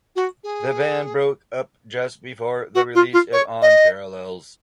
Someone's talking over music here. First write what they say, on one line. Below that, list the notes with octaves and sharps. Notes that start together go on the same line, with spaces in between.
The band broke up just before the release of On Parallels.
F#4
G#4
F#4
F4
F4
C#5
D#5